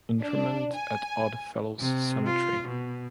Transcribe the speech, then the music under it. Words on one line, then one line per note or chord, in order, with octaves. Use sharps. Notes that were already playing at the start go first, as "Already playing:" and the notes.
Interment at Odd Fellows Cemetery.
D4
G#5
C3
F4
B2